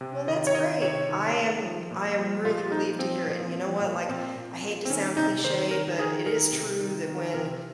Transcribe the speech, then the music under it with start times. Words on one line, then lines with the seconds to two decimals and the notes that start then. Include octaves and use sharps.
Well, that's great. I am I am really relieved to hear it. And you know what, like, I hate to sound cliché, but it is true that when
0.01 C3
0.28 D#3 D#5
0.47 C#5
0.55 D#3 D#5
0.82 C3 C#5
1.09 D#3
1.36 D#3
1.63 F3
1.91 A#2
2.18 F3
2.45 A#2 F4
2.72 F3 D#4
2.99 F3 C4
3.26 A#2
3.53 F3
3.81 A#2
4.09 A#2 C4
4.35 A#2
4.62 A#2
4.85 C4
4.90 D#3 C#4
5.17 C3 D#4
5.44 D#3 C5
5.71 D#3 A#4
5.98 D#3 G#4
6.26 D#3 A#4
6.53 C3
6.80 D#3
7.08 D#3
7.34 C3 A#4